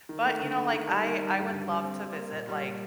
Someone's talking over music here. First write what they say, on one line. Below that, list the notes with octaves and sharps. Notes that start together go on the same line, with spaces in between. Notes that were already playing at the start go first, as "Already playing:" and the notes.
But, you know, like, I I would love to visit, like,
D#3
A3
D3
A3
D#3
G3
D#3
G3
G2
D3
G3
C4
G3
A#3
A#2
G3
A#2